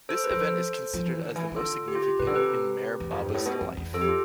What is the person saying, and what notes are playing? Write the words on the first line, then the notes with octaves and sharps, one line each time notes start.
This event is considered as the most significant in Meher Baba's life.
A4 C5
B4
F3 A4 C5
F3
E3
D3
E3
E3
D3 F4 A4
G4
F4
G4
C3 B4
D3 A4
C3 G4 B4
E2
F2
G2
A2
B2
F2
E2
F2 A4
G4
F4